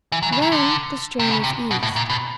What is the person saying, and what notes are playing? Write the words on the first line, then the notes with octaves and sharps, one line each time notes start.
Then the strain is eased.
E3
F#3
C#3
D#3
D3
C3
C#3
C3
B2
A2
A#2
B2